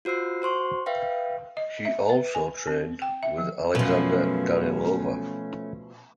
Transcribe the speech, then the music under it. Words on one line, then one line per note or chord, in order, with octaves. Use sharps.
She also trained with Alexandra Danilova.
F4 F#4 C5 E6 C7
F#4 C5 C6 C#6
B4 E5 F5 G5
D#5
E5
B4
G#5
C4
G5
E5
F3
F#2 B2 F3 A3 C#4 B4